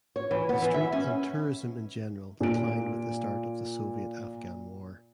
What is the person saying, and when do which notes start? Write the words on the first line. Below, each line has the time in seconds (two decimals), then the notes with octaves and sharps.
The street and tourism in general declined with the start of the Soviet–Afghan War.
0.16 C#5
0.31 E3
0.49 B3
0.62 E3
0.74 E5
0.93 C#4
2.40 A#2 D7